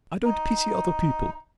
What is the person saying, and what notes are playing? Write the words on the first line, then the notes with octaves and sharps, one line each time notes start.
I don't pity other people.
D#4